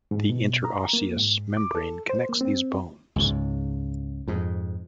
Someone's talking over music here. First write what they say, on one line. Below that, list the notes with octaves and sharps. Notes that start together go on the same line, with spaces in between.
The interosseous membrane connects these bones.
G#2
B2
A#5
A#3
G#2
D6
A4
C5
A#3
C4
C#2 G#2
F2 G#2